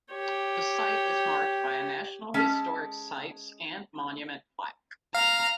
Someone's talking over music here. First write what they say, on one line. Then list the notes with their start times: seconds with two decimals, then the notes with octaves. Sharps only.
The site is marked by a National Historic Sites and Monument plaque.
0.13 G4 C#5
2.34 G#3 C#4 A4 E5 A5
5.15 F5 A#5